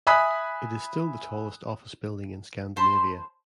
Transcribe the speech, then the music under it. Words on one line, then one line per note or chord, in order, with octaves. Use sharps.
It is still the tallest office building in Scandinavia.
E5 G#5 B5 D#6 F#6 B6
C5 A5 B5 C6